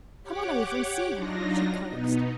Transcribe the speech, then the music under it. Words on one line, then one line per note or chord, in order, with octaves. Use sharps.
"Come on over and see her," she coaxed.
G4 C#5 F#5 D6
F#3 D4 D#4 F4 A#6
B2 B3 D#4